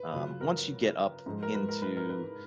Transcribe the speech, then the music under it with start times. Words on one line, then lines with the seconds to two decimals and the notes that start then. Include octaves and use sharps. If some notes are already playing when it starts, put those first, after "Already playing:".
Um, once you get up into
Already playing: B4
0.13 C#3 F#3 C#4 F4
0.41 A#4
1.26 G#2 F3 G#3
1.43 A#4
1.54 B4
1.69 A#4
1.82 B4
1.97 A#4
2.10 B4